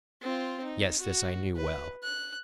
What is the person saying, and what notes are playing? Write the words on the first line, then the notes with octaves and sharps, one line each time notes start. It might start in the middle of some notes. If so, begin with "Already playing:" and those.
Yes, this I knew well.
C4 F4
D#4
F#4
B4
F#6